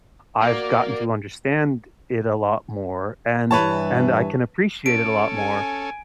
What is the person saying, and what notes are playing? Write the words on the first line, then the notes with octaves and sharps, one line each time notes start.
I've gotten to understand it a lot more, and and I can appreciate it a lot more.
A#3 F#4 D5
G2 E3 B4 C#5 A5
C#4 A4 D7
G#5